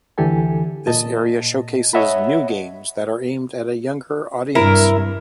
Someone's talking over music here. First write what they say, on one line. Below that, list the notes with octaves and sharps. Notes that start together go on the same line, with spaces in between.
This area showcases new games that are aimed at a younger audience.
D2 D3 E3 G4 A4 G#5
A#2 D#5 A5
C#5 D#5 E5 F#5 A5 B5
G2 C3 E4 A#4